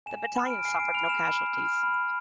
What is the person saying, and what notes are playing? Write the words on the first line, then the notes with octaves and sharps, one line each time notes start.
The battalion suffered no casualties.
G#5 E7
B5 F6
D7
G#5 C7
D7
B5 F6 F7
E7
B5
F6
B5